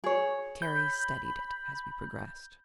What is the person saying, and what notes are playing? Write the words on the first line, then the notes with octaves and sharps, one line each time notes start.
Terry studied it as we progressed.
G#4 C#5
B5 G6